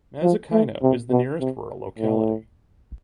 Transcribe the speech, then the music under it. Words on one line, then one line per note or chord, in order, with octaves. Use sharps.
Mazikino is the nearest rural locality.
F3
A3
C3
B2
C3
A2